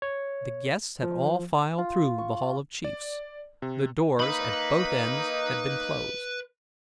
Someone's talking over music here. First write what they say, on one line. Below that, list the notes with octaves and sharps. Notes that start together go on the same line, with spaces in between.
The guests had all filed through The Hall of Chiefs; the doors at both ends had been closed.
C#5
F3
F4
C#6
D5
C3
A#3 D#4 B4 B5